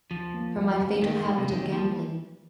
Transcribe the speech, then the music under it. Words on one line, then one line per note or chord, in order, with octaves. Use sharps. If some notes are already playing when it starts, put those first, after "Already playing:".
From my fatal habit of gambling.
D#2 F3
A#3
D#2
D#2
D#2 D#3
D#2
C3
D#2 D#3
F3 A#3